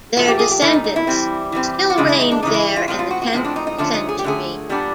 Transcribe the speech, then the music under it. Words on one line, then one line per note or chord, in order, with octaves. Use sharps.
Their descendants still reigned there in the tenth century.
A#2 F3 A3 F#4
G4
G#4
G4
A#2 F3 A3 E4
D#4
D#4
E4
E3 G3 C4
E3 G3 C4
F#4
C#3 E3 G#3 F4
E4
D#4
D4
C#3 E3 G#3 D#4
E4
F4
A2 F3 G#3 C4 F4
F4
F#4
F#4
A2 F3 G#3 C4 D4
D4
D#4
D#4
D3 F3 A3 C#4 D4
D#4
G#4
G4
D3 F3 A3 C#4 G#4
A#2 G3 B3 D4